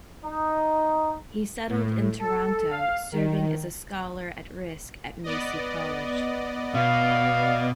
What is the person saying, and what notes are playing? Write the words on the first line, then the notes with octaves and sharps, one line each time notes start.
He settled in Toronto, serving as a Scholar at Risk at Massey College.
D#4
A2
A4
F5
D#3
B3 D5 D#5
B2 F5